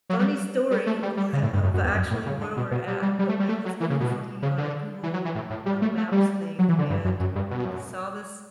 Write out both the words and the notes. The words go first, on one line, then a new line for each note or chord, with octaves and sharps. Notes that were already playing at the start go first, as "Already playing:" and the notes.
Funny story, ooh eh of actually where we're at, but my husband was looking on a Google, uh, Maps thing, and he saw this
F#3
G3
G3
A3
G3
G3
C#3
A2
G2
F#2
F#2
E2
F#2
A2
C#3
D3
B2
B2
G3
G3
G3
A3
G3
A3
F#3
E3
C#3
B2
C#3
D3
E3
F#3
E3
A2
A2
G3
A3
A3
G3
F#3
E3
D3
G2
F#2
F#2
G2
B2
F#2